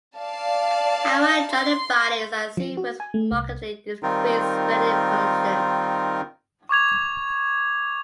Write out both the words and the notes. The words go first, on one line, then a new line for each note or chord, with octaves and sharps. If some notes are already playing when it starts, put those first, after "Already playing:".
Howell-Jolly bodies are seen with markedly decreased splenic function.
D5 F5 A5
C6
F3
F#4
G#5
A3
C2
D#3 G3 C4 D#4 F4 A#4
C#6 D6 G#6 F7